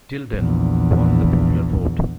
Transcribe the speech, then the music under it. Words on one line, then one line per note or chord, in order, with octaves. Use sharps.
Tilden won the popular vote.
A#1 E2